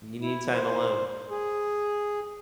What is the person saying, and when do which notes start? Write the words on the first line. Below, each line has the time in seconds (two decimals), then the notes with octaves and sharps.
You need time alone.
0.22 E4
0.54 C5
1.30 G#4